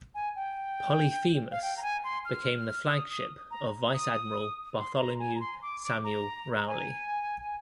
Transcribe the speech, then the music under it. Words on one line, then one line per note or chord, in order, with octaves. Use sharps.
"Polyphemus" became the flagship of Vice-Admiral Bartholomew Samuel Rowley.
G#5
G5
F5
G5
A#5
G#5
C6
F6
F6
D#6
D#6
A#5
D#6
C6
A#5
G#5
A#5
C6
D6
D6
A#5
A#5
G#5